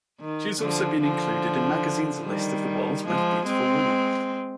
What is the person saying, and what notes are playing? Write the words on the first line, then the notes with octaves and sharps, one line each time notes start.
She has also been included in magazines' lists of the world's most beautiful women.
D#3
D3 F3
D3 F3
D#3 G3
F3 G#3
G#3 C4